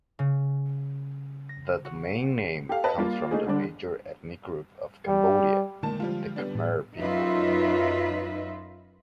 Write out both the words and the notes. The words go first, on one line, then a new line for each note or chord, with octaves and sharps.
The domain name comes from the major ethnic group of Cambodia, the Khmer people.
C#3
A#6
F#4
G4 A4 F5
B4 D#5 A5
G3 A#3 F4
A3 D#4 G#4
D3 G3 D4
G3
A#2 D3 D#3 G#3 A3 A5
F3 G3 F4
G3 B3 D4
A2
F#2 D#4 F4 B4 E5